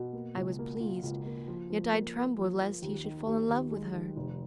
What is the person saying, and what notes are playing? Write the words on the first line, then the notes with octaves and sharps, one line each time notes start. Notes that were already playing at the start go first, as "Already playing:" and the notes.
I was pleased, yet I trembled lest he should fall in love with her!
Already playing: B2
A#3
C#2
A#3
F4
C#2
A#3
F3
F3
A#3
A#3
F3
F3
D#2
D#3
D#2
D#2
G#3
D#3
F1